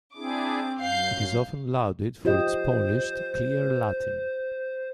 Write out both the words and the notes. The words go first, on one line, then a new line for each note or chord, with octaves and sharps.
It is often lauded for its polished, clear Latin.
C4 D4 E4 G#4 D6
F#2 F5 G6 C7
F4 G4 C5 D#5